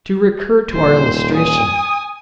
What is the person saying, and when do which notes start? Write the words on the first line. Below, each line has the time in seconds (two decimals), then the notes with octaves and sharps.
To recur to our illustration.
0.73 D#1 C5
1.33 G#5 D#6